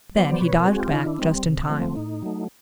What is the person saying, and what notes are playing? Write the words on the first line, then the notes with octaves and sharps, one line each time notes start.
Then he dodged back just in time.
F#3 B3 C5 D5
B2 B4 C#5
A#4 C5
G#3 C4 F#4 G#4
F4 G4
D#3 D#4 F4
D4 E4
G3 C4 D#4
C3
F3 A3 C4
A2 D#4
F#3 A3